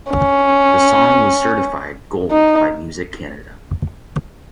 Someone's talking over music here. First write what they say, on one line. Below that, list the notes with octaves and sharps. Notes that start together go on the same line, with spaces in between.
The song was certified Gold by Music Canada.
C#4
D#4